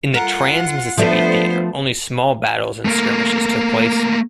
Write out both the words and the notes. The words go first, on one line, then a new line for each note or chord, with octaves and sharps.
In the Trans-Mississippi Theater, only small battles and skirmishes took place.
F4 A#4 F#5
F3 A3 B3 D4 C5
A3 A#3